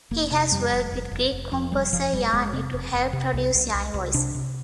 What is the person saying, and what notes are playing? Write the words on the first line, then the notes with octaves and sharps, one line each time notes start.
He has worked with Greek composer Yanni to help produce "Yanni Voices".
F1 A#3
C3
F2 G3
F1
F1
F1
F1
F2
F1 G3
F1 F3
F1 G3
F1 G#3
C3 C4
F1
F1
C3
C2
C2
C2
C2
C3 D4
C3